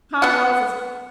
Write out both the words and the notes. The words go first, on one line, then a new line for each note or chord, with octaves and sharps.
Tom Ellis is h
B3 F#5